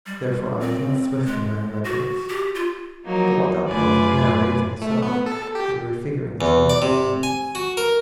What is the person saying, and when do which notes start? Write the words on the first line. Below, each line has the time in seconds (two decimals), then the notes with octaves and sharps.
Therefore I was not swift in my remembrance; But what thou tellest me now aids me so, That the refiguring is easier to me.
0.06 G3
0.60 C4
1.26 G#3
1.84 F#4
2.29 G4
2.55 F4
3.05 F3 F#3 A#3 D#4
3.66 F#2 A3 F4 B4 D5 G#5
4.82 A3
5.02 B3
5.26 A4
5.55 G4
6.41 E2
6.70 D5
6.82 C3
7.23 G#5
7.55 F#4
7.77 A#4